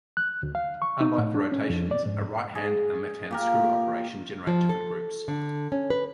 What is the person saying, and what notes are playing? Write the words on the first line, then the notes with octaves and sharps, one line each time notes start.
Unlike for rotations, a righthand and lefthand screw operation generate different groups.
F#6
D2
F5
C#6
D#4
A2
D4
C#4
F2
D5
G#2
G#4
A#2 G4 A#4
F3
A4
D3
C#4
B4